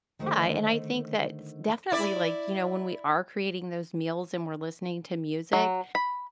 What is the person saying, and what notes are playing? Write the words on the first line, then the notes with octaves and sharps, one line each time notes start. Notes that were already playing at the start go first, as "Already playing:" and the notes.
Yeah, and I think that s definitely, like, you know, when we are creating those meals and we're listening to music,
D3 D#3 G#3 A3 D#4 C5
E4 D5
F#3
B5